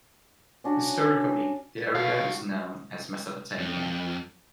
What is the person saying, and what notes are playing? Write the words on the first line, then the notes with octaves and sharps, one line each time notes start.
Historically, the area is known as Mesopotamia.
C#4 D4 F#4
F#4 F5 A5
F2